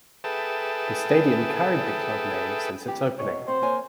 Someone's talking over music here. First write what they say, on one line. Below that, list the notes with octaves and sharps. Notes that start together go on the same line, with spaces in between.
The stadium carried the club name since its opening.
G#4 A4 B4 E5 G5 A5
E3 C4 G4
E2 B2 C#5
C4 F#4 C5
A#3 C#5 G#5